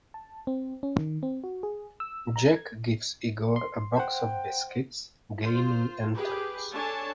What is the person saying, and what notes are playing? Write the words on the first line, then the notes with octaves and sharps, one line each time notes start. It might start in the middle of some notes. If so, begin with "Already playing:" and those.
Jack gives Igor a box of biscuits, gaining entrance.
A5
C4
C#4
D#3
C4
F#4
G#4
E6
A#5
G#6
C6
C5 F#5 G5
F4 C5
G4 G#4 B4
D4 A4 C#5 G#5 A5